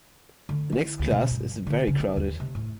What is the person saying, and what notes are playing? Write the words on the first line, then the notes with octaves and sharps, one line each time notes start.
The next class is very crowded.
D3
E4
D2
B2
G2
D3
C#3
D#3
D#2
C3
A2